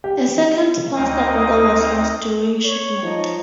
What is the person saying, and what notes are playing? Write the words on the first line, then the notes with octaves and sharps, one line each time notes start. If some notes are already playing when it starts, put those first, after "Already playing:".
A second plaster model was lost during shipment.
G4
D2 A#3 C4 D#4 D#5 D#6
C#5
F3 D#4